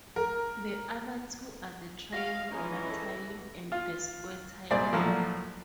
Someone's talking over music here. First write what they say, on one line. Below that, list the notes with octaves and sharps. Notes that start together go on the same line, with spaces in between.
The other two are the triangular tiling and the square tiling.
A#4
F#4 D#5 F5 A#6
E3 G#3 C#4 D#4
A4 B4 E6
F4
C2 A#2 G#4 C5 D5
A2 F3 F#3 A3 A#3 D4